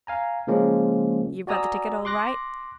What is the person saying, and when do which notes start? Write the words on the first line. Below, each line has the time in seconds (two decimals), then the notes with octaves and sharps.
"You've got the ticket all right?"
0.07 F5 G#5 A#5
0.47 C#3 F3 G#3 A#3 C#4
1.47 F#4 D5 G#5 A#5 D#6 E6
2.05 C6 D6 F#6 A#6